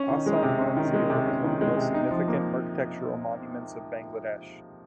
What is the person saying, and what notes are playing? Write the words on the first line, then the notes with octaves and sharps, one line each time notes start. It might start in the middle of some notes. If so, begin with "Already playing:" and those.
Ahsan Manzil is one of the most significant architectural monuments of Bangladesh.
Already playing: C#4
D#3
G#3
C3
C#4
D#3
G#3
C3
C#4
D#3
G#3
C3
D#4
F3
A#3